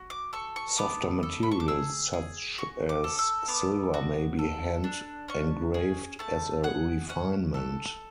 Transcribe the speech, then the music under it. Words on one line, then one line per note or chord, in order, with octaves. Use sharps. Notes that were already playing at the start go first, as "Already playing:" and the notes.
Softer materials such as silver may be hand engraved as a refinement.
Already playing: F#4
D6
A4 C#6
C#6
B3 D6
A4
B5
C#6
D6
G#4 E6
G#4
F#4 C#6
D6
A4
E6
B3 D6
F#4
A4
D4
C#4 C#6
G#4
A3 A5
G#4 F#5
C#4 F#5
A4